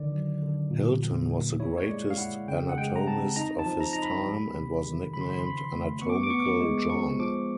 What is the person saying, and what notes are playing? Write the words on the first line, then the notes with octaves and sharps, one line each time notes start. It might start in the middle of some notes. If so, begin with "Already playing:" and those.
Hilton was the greatest anatomist of his time, and was nicknamed Anatomical John.
Already playing: D3 D#3 D5
F#3
D3
A#2
F3
A#3
E4 C#5
C#5
G#3 D5
F5
E4 F#5
C#3 G5
F#5
G#3 G5
A#5
C4 A5
D#4 A#5
A5
F3
A#5
D#4 A#5
B5
G3
C3
D#3
C#3 B5
C6
B5
C6
F3 B5
C6
A3
B3 C#6
D6
C#6
D6
B3 C#6
D6
C#6
G#3
D6
F3 C#6
F3 D6